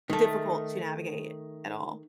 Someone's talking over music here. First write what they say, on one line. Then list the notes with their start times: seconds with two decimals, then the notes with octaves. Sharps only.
difficult to navigate, at all.
0.10 D#3 A3